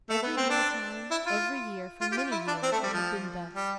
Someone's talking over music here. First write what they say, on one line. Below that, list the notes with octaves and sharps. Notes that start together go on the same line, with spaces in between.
Every mealtime, every year, for many years, it had been thus.
A3
B3
C4
D4
E4
F4
F4
G4
F4
E4
D4
C4
A3
G3
F3
G3